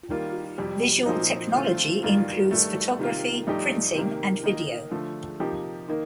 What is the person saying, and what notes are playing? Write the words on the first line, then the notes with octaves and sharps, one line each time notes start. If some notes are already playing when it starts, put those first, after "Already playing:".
Visual technology includes photography, printing, and video.
D#3 G3 A#3 F4
F2 C3 G3
A#2 F3 C4 D#4
D3 A3 C4 F4
G2 D#3 A#3 F4
G2 D#3 A3
C3 D#3 A#3 F4
G2 F3 A3 D#4 G4
C3 D#3 A#3
D#3 A#3 D#4
D3 F3 A3
C3 F3 A#3 D#4 G4
D#3 A#3 D#4